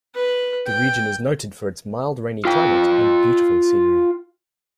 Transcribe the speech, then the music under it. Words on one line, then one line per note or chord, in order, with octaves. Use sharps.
The region is noted for its mild rainy climate and beautiful scenery.
B4
G5
F4 G5